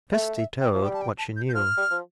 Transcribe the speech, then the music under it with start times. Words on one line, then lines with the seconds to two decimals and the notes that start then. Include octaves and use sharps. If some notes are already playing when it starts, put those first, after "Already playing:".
Kirsty told what she knew.
0.12 A3 E5
0.36 E5
0.61 G5
0.75 F3
0.83 G3 G5
0.94 A5
1.01 G5
1.18 A5
1.36 G6
1.49 G6
1.54 F3 F6
1.77 G3
1.91 F3